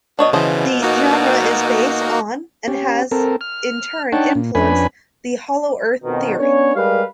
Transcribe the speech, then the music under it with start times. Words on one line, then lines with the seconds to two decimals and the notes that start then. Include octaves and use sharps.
The genre is based on and has in turn influenced the Hollow Earth theory.
0.19 B2 D4 C#5 D#5
0.33 C#3 E3 F3 C5 D#5
0.82 A#3 D#4 F#4
2.02 A#4
2.68 C#4 G4
3.11 C4 A4 A#4
3.41 F6
4.12 D4 D#4 C#5 F#5 G5 A5
4.35 A#2
4.55 F2 C#4 D4 B4 G#5 B5
6.04 F2 B2 D#3
6.39 B3 C#4 D4 C#5
6.76 G3 G#3 G4 A#4 B4 F5